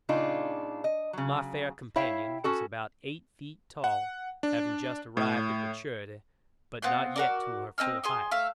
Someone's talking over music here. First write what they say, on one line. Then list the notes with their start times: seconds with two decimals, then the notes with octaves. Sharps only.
My fair companion was about eight feet tall, having just arrived at maturity, but not yet to her full height.
0.09 A#2 C#3 D4 D#4 F4
0.84 D#5
1.13 C#3 F#3
1.96 E4 C#5 E5 F5 G5
2.44 C#4 F#4 A4
3.84 F#5
4.43 D4
5.17 A2
6.82 B3 C4 F4 F#6
7.16 F#4 A#4 D5
7.78 C4 D#5 E6 F6
8.04 G#4 C6 D#6
8.31 A3 E5 F5